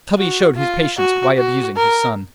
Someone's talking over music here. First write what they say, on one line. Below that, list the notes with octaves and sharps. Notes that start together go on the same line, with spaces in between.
Tubby showed his patience by abusing his son.
F#4
F4
F#4
F#4
A#4